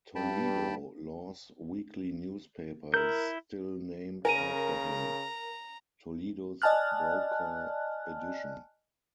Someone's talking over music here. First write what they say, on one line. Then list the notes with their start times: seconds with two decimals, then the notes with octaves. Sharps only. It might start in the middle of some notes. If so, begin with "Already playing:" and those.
Toledo Law's weekly newspaper is still named after him: "Toledo's Brokaw Edition".
0.15 G2 G5 A5 B5
2.94 E4 A#4 G6
4.25 C#3 A#4 G#5 A#5 D#7
6.62 D5 D#5 G#5 A5 F6 F#6